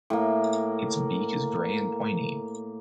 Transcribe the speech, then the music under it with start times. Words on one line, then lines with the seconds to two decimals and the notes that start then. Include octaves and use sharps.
Its beak is grey and pointy.
0.10 A2 A#3